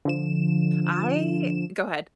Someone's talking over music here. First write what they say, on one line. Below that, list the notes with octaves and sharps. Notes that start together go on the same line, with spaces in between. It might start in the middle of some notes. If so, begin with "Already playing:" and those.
I go ahead.
D3 F3 E7